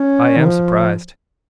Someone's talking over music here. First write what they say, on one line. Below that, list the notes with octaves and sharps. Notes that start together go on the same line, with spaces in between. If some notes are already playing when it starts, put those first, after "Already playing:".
I am surprised.
Already playing: C#4
D#3
F3